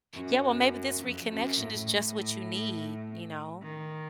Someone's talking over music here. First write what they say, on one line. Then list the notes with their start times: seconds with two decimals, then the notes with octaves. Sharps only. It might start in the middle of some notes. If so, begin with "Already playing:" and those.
Yeah, well, maybe this reconnection is just what you need, you know?
0.14 F#2
1.00 F2
1.29 F#2
1.58 A2
1.87 A2
3.62 D#3